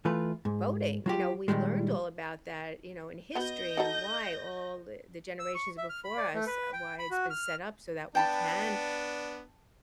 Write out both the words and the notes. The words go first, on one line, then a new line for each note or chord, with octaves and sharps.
voting. You know, we learned all about that, you know, in history and why all, eh, the generations before us, why it's been set up so that we can
E3 A3 F4 B4
G#2
F#3 F4 G4
A#2 D3 D#3 G3 G#3
B3 F#4 B4 D#5 G6 A#6
D#4 F#4 A4
E6
C#6
E5
F6
B5
D5
A3
B4
G5
B5
F#4
F6
B3 D4 G5 A5 B5